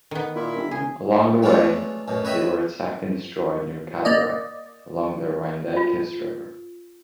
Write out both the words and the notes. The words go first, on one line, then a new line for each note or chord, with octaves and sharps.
Along the way, they were attacked and destroyed near Cabira along the Rhyndacus River.
D#3 B3
A#2 E4
G1
E1 C#3 G#4
E3 F#3 G#3 A3 D4 F4
A1 F#2 B2
B4 C#5 D#5 E5 G5 B5
A#3 D5 D#5
F4